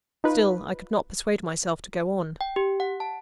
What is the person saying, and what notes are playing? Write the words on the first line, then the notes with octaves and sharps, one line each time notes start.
Still I could not persuade myself to go on.
D#4 F4 B4
G5
G4
F#5
A5